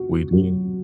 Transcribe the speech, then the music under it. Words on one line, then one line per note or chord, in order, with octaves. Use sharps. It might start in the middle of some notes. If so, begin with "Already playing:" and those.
We do.
Already playing: F#4
F#3